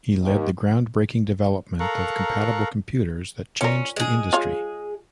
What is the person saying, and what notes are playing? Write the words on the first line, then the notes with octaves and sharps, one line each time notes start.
He led the groundbreaking development of compatible computers that changed the industry.
D#2
A4 A#4 F5 A#5 C#6 F#6
C#4 F4 A#4
G#3 G#4
F4 C#5 F5